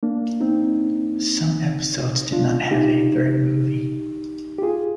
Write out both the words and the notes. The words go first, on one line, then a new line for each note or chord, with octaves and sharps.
Some episodes did not have a "third" movie.
A#3 D4
C4 D#4
D4 F4
D#4 G4
G4
F4 G#4